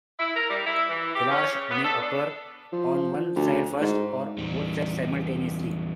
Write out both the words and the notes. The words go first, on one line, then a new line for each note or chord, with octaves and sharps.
Thelarche may occur on one side first, or both sides simultaneously.
E4
A#4
G3
E4
E3
G4
C#4
C#3
B3
A4
D4
F3
D2
G#2
E2 G3